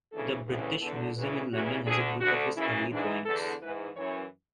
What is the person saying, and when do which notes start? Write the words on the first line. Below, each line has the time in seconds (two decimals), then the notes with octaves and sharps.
The British Museum in London has a group of his early drawings.
0.10 D2 C#3 E3 A4
0.46 D2 C#3 E3
0.81 E2 D3 A4
1.15 D2 C#3 E3 B4
1.50 E2 C#3 E3 F#4
1.85 D2 D3 G#4
2.20 D2 D3 F#4
2.55 F#2 C#3 E3 E4
2.91 G#2 E3 D4
3.25 E2 D3 A4
3.61 G#2 E3 B4
3.95 F#2 E3 C#5